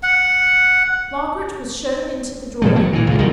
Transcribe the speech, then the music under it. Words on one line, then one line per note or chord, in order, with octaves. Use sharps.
Margaret was shown into the drawing-room.
F#5
B2 F3 A3
D#3 F#3
A#2 E3
C#2 G2
C2 B2 D#3 F#3